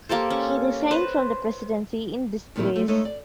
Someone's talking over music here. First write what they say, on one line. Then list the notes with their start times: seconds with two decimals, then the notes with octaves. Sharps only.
He resigned from the presidency in disgrace.
0.09 A#3 G4 A4 C5
0.30 C#4
0.91 B4 C5
2.56 F2 A#2 D#3 F3 E4
2.76 F3 A3
2.88 G#3 A3 D#4 A4 C#5 D#5
3.05 D5